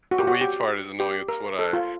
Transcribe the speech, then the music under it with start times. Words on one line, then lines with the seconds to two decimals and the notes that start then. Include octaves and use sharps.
the weeds part is annoying. It's what I
0.11 F#4
0.19 G4
0.27 F#4
0.41 G4
1.00 G4
1.29 A#4
1.59 A4
1.73 F4